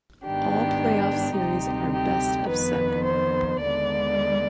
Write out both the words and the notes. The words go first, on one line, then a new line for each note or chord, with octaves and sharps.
All playoff series are best-of-seven.
G#2 D#3 B3 D4 G4
D2 C3 G3 C4 D#4 G4
G4
F2 D#3 B3 B4
C5
D#2 D3 G#3 B3 D5